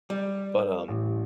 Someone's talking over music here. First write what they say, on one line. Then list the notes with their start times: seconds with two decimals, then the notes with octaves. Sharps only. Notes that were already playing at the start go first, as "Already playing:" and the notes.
but, um,
0.10 G3
0.88 A1